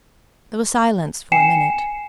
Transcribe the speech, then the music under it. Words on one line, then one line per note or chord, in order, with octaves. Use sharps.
There was silence for a minute.
G5 G#5 C7 C#7 E7